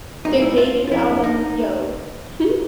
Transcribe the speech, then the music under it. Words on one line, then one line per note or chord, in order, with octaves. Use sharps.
Their debut album, Yo!
C2 A#2 F3 G#3 B3 D#4
E4
F4
F4
F2 C#3 F3 A#3 D4 E4
D#4